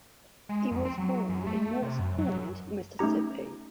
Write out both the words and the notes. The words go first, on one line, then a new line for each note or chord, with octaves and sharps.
He was born in Moss Point, Mississippi.
G#3
F2
C4
F#3
F#2
A3
C3
F#2
F#3
F#2
A3 C#4 D#4 G4 A#5